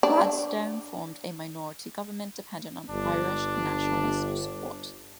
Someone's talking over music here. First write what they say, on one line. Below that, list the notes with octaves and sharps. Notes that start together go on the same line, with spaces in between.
Gladstone formed a minority government dependent on Irish Nationalist support.
D4
G1 D4